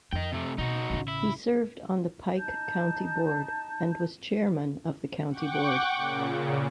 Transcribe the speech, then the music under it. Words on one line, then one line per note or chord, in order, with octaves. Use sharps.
He served on the Pike County Board and was chairman of the county board.
F2 D#5 G5
C3 A3
B2 D#4 F#4
A1 C#3
E4
D#4 A5 G6
F#5 G5 C#6 D6
A#2 C#3